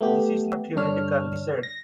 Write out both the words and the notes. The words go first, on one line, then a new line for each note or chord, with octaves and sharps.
"This is not theoretical", he said.
A3 B3 G4
G2 D3 D4 C#5 F6
A#6